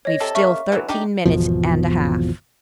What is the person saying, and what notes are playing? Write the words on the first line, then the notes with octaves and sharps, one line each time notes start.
"We've still thirteen minutes and a half."
C#5 D#5
C3 A4
C#3 A#3 E5 C#6
D3 E3 F#3
D4 D#4 G4
G#1 E2 B2 F3